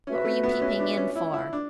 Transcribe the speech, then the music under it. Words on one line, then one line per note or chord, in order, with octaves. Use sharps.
"What were you peeping in for?"
C#4 F#4 B4 E5
A3
B3
C#4
D4
C#4
E4
E4
D4